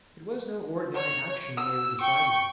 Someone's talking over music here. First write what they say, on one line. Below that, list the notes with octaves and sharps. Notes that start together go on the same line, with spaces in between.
It was no ordinary action they were deciding.
C#5
E6
G5 C#6